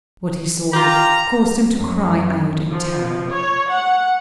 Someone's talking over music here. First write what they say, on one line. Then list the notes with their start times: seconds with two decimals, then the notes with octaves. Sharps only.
What he saw caused him to cry out in terror.
0.73 F4 G4 A#5
1.73 F#2
2.70 F3
3.31 C#5
3.70 F#5